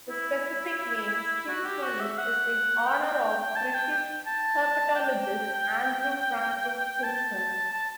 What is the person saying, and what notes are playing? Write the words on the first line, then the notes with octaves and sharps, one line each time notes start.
The specific name, "stimsoni", is in honor of British herpetologist Andrew Francis Stimson.
E4
F#4
G4
F#4
E5
F#5
G5
A5
G5
G5
A5
G5
A5
A5